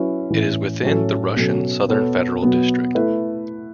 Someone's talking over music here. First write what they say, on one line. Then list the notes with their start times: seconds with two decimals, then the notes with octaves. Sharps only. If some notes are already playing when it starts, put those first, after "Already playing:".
It is within the Russian Southern Federal District.
Already playing: F#3 C#4 E4 B4
0.30 A2 E3 C#4
0.83 A2 F#3 C#4 A4
1.36 B2 F#3 C#4 A4
1.88 B2 B3 A4 C#5
2.42 B2 F#3 B3
2.95 A3 E4 B4